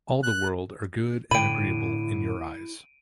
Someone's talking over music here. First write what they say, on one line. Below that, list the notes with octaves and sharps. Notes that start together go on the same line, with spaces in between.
All the world are good and agreeable in your eyes.
F#6
A2 D3 E4 G5 B5 D7 D#7